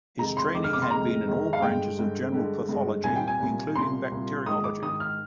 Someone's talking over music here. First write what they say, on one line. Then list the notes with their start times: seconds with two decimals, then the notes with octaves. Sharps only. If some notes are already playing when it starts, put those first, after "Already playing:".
His training had been in all branches of general pathology including bacteriology.
0.19 F2 C3 D#3 G#3 A#5
0.37 C6
0.54 F2 C3 D#3 G#3 D6
0.64 F6
0.73 D6
0.82 C6
0.90 F2 C3 D#3 G#3 A#5
1.25 F2 C3 D#3 G#3
1.53 F5
1.61 G2 D3 G#3 G5
1.97 G2 D3 G#3
2.32 G2 D3 G#3
2.69 G2 D3 G#3
3.04 C2 A#2 G3 G#5
3.16 G5
3.28 G#5
3.40 C2 A#2 G3
3.75 C2 A#2 G3 C6
4.12 C2 A#2 G3
4.46 G#2 D#3 G#3 D#6
4.64 D6
4.82 G#2 D#3 G#3 D#6
5.00 F6